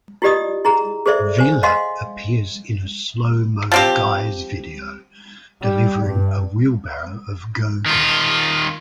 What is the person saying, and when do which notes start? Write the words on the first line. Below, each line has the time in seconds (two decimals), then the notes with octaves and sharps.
Vila appears in a Slow Mo Guys video delivering a wheelbarrow of Go-Gurt.
0.22 E4 F4 G4 D5 D#5 D#6
0.65 E4 G#4 A#5
1.06 G#4 A4 C5 D5 E5
1.38 C5 G#5
1.63 D#5 F5 F#5 G#5 C6
3.72 F3 C4 G4
5.62 G3
6.04 G2
7.86 D#3 F4